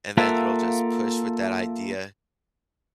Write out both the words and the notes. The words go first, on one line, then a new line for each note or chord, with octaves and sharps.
And then it'll just push with that idea,
A#3 F4 A4 E5 F#5